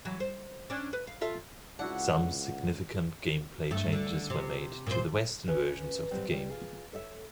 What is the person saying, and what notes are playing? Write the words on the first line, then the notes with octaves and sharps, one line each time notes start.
Some significant gameplay changes were made to the Western versions of the game.
E3 F#3
C5
C#4 D4
B4
F5
F4 A4 E5
C#2 D4 E4 F#4 F#5
G2 A3
D3
C3
A#2 C5
C#4 B4 G#5
F#3 G3 C4
G3
F4 G#4
A4 C#5 D#5 E5